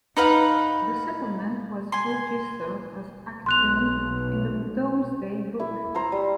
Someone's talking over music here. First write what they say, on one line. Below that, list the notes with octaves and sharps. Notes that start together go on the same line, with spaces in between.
The settlement was registered as "Actune" in the Domesday Book.
D#4 B4 F5 F#5
G#5 C6
B1 C6 F#6 F7
E4
C5 A#5 E6
G3